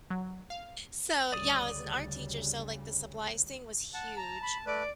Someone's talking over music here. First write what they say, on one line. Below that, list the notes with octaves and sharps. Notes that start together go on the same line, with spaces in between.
So, yeah, I was an art teacher, so, like, the supplies thing was huge
F#3
F5
D2 C#3 G3 D5 D#6
F#5 A5
A5 A#5
B5
A3 B4 D5